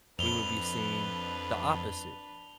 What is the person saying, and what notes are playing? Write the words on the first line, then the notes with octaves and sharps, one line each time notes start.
we would be seeing the opposite,
F2 D4 B4 F7 G7